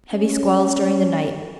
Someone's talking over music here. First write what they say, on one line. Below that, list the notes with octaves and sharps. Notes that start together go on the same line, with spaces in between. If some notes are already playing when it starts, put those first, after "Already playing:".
Heavy squalls during the night.
C#4